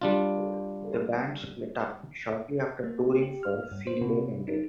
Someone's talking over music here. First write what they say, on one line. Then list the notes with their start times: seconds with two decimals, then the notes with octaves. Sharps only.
The band split up shortly after touring for "Field Day" ended.
0.01 G3 D4 F4
2.84 A#3
3.22 G4
3.43 F6
3.71 G2
3.87 C5
4.01 C3
4.48 D#4